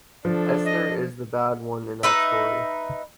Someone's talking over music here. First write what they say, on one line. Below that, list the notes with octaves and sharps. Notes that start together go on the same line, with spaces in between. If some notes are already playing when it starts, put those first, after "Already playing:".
Esther is the bad one in that story.
F3 D4 A4
D#5
D#4 B4 E5